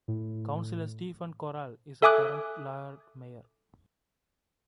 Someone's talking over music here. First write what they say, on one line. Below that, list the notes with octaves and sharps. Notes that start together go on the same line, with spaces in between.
Councillor Stephen Corrall is the current lord mayor.
A2
A4 E5 G#5 D6 D#6 F#6